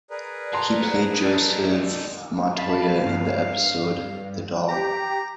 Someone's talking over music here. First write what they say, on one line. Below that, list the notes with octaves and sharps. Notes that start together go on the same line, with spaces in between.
He played Joseph Montoya in the episode "The Doll".
G#4 A#4 B4 D5
F#3 A5 A#5 C6
D#4 A4
F5 A5 B5
G2
G4 A#5